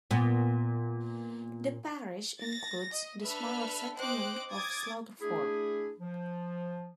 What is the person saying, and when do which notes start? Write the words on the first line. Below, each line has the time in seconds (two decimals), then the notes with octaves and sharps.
The parish includes the smaller settlement of Slaughterford.
0.11 A#2 B3
2.40 A6 A#6
2.92 D#5
3.22 D4 A4 B4 E5 F6
3.97 C5 D#5 G5 D6 F#6
4.50 D6 D#6 G#6 A6
5.21 A3 D4 E4 G#4
6.00 F3